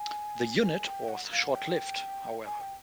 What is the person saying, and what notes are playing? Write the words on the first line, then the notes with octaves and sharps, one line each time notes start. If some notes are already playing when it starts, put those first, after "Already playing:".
The unit was short-lived, however.
Already playing: G#5
G#5
G5
F#5
F5
F#5
G5
G#5
G5